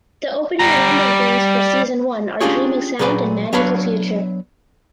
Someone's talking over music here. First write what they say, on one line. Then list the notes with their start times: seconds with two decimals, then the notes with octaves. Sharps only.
The opening and ending themes for season one are "Dreaming Sound" and "Magical Future".
0.59 G3 A#5
2.40 C#4 D4 F4 G4 G#4 C#5
2.99 A#2 F#3 G#4 B4 D5
3.53 F#3 B3 D4 B4 C#5 F5